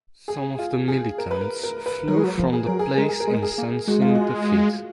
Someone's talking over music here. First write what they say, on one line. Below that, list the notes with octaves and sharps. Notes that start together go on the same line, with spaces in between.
Some of the militants flew from the place in sensing defeat.
G#4
F4
G#4
A#4
B4
A#4
A#4
B4
F#3 A#4
G#3
F#3
F3
G#4
F#3 A#4
G#4
G#3 A#4
G#4
A#4
G#3
A#4
G#4
A#3
G#3 F#4
F4
F#4